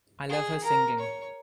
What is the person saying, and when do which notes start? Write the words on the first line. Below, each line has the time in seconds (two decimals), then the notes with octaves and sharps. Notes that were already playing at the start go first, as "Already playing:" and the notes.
I love her singing.
0.29 G#4
0.64 A#4
0.99 C#5